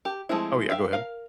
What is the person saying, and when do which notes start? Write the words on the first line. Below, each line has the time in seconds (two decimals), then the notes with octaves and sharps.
oh, yeah, go ahead.
0.05 G4
0.29 F3 G#3 A3 C4 E4
0.70 E5 F5 G5
0.93 A#4 F5